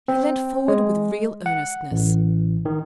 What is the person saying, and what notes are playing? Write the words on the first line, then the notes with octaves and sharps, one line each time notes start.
He leant forward, with real earnestness.
C4
G#3
F#5
A1
D#3